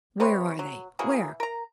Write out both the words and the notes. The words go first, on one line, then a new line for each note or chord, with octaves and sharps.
Where are they? Where?
C3 C4 B4 C#5
F#3
E3 F#3 A#3 G#4
A#4 A#5